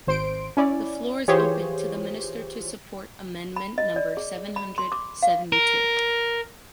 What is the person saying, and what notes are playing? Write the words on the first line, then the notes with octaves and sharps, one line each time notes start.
The floor is open to the Minister to support amendment number seven hundred seventy-two.
G#1 C5 C6 D7
C#4 E4 D5
E3 F4 G4 G#4 C5 C#5
B5
D#5
D5
G#4
B5
C6
D6
F5
A#4